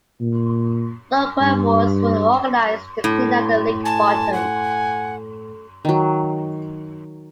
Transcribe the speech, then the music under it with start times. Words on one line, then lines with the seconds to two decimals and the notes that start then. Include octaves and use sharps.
Local efforts were organized to clean up the lake bottom.
0.21 A#2
1.41 G2
3.04 A2
3.85 G#5 A5
4.34 F#5
5.85 D#3 F#3